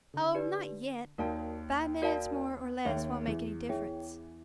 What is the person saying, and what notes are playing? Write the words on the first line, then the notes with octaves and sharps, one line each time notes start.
"Oh, not yet, five minutes more or less won't make any difference."
D3
D#4 G4 B4 D5
D#2 D#3 F#4 A#4 D5 F5 A5
F#4 A#4 D5 F5 A5
D#2 D#3 G#4 C#5 E5 G5
E2 E3
E2 E3 G#4 C#5 E5 G5